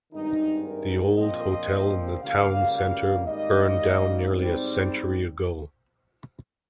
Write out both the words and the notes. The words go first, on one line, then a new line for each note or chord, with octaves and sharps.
The old hotel in the town center burned down nearly a century ago.
G#1 G2 D#3 G#3 D#4
A#4
A#1 A#2 F3 C4 D#5
C#2 C#3 G3 A#3 F5
F5
G#1 G#2 G3 A#3 D#5
G#2 G3 C4